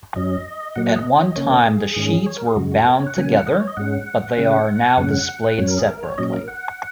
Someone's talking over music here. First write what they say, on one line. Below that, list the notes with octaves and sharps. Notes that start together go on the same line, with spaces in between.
At one time the sheets were bound together, but they are now displayed separately.
F#2 F#3 C#4 D#5
A#2 F#3 A#3 F#5
F#5
D#5
C#5
D#5
C#3 A#3 C#4 C#5
A#4
G#4
G#2 D#3 G#3 C#4
C#5
A#4
G#4
F#2 C#3 G#3 F#4
F#4
A#4
C#5
F#5
C#3 F#3 A#3 C#4 G#5
F#5
D#5
C#5
D#5
G#2 G#3 C#4 F#5
C#3 G#3 C#4
G#5
F#2 C#3 G#3 C#4 F#5
F#2 F#3 C#4 C#5
A#4
G#4
A#4
C#5
A#2 F#3 C#4 D#5
A#4
F#5